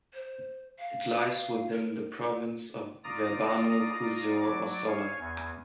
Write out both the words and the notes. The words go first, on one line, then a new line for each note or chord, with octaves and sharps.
It lies within the Province of Verbano-Cusio-Ossola.
C5
F5
A#4
F4 D5 A#5 D#6
F#3 D5 D6
C#5 F5 G#5
E2 G#5